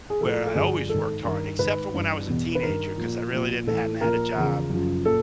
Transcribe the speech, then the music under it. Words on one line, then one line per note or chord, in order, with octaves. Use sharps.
where I always worked hard, except for when I was a teenager 'cause I really didn't hadn't had a job
G#4
A2 F3 A4
A4
G2 D3 F3 G#4
G#2 D#3 A4
G2 D#3 A#4
G#2 D#3 B4
G2 E3
E2 B2
B4
G2 D#3 A#4
A#2 F3
A#2 F3
A2 E3 A4
A#2 F3 A#4
E2 C#3 F3
F#2 C#3 F3
A#2 A4